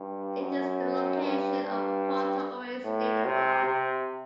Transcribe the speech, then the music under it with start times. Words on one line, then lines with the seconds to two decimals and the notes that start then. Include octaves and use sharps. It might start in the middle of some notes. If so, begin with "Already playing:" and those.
It is the location of Pawtuckaway State Park.
Already playing: G2
0.42 F#2
1.22 G2
1.63 G2
2.84 A2
3.25 C3
3.66 C3